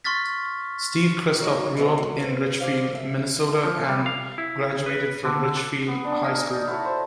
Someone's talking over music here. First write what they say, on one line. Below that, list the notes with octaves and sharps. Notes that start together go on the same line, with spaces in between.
Steve Christoff grew up in Richfield, Minnesota and graduated from Richfield High School.
C6 C#6 F6 A6 B6
F#3 D#4
G#2 B2 D3 E3 F#3 C4
G#3
B4 C5
G3 D4 G#4 C5 F5
E5
F3
G3
F5
E4
B4
D3
A4
B3
D4
A#4 D#5 G#5
D#4 D5
E4 F#4 A4 C#5
C5